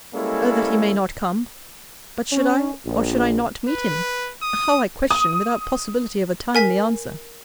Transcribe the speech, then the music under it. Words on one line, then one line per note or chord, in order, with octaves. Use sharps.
O that he may not come!--But should I, or should I not, meet him?--How I question, without possibility of a timely answer!
G3 G#3 A#3 C#4 E4 A4
C#4
A#1
B4
D#6
D#6
A#4 G#5 B6